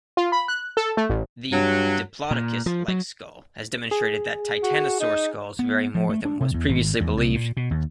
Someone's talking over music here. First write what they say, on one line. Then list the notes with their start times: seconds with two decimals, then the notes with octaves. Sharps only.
The "Diplodocus"-like skull has demonstrated that titanosaur skulls vary more than was previously believed.
0.17 F4
0.32 B5
0.48 F#6
0.77 A4
0.97 A3
1.10 A1
1.52 G2 F#3
2.31 A#2
2.66 F3
2.88 F#3
3.91 G#4
4.63 F#4
5.00 D#4
5.59 B3
5.95 F3
6.09 A3
6.25 D4
6.40 C3
6.54 E2
6.69 G#1
7.01 E2
7.17 C2
7.35 A#2
7.57 B2
7.71 D#2